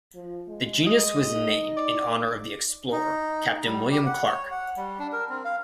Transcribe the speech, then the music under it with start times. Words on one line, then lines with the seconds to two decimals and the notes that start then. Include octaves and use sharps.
The genus was named in honour of the explorer Captain William Clark.
0.15 F3
0.48 G#3
0.87 D#5
1.32 D#4
1.77 D5
2.92 D#4
3.65 G3
3.91 G4
4.06 F#5
4.24 C#5
4.51 F#5
4.77 G3
4.99 D4
5.12 A#4
5.29 C4
5.45 F5